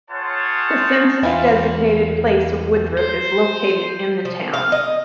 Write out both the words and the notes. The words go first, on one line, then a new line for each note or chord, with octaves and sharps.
The census-designated place of Woodruff is located in the town.
F4 G#4 C5 C#5 F#5 A5
E2 E3 F4
C5
F3
F5
D#5